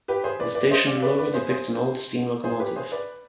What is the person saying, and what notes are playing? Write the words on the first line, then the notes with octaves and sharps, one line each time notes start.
The station logo depicts an old steam locomotive.
G4 B4
G#4 C5
B4 D5
B4 D5
C5 D#5
D5 F5
B4 D5
B4 D5
G#4 C5
G#4 C5
G#4 C5
G4 B4
G#4 C5
B4 D5